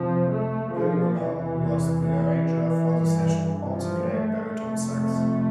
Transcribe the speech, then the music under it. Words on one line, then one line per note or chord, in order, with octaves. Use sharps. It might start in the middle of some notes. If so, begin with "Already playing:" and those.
Bill Ramall, who was the arranger for the session, also played baritone sax.
Already playing: F2 C3 F3
A3
F3
E2 C3 E3
E3
G2
F3
A3
F2 C3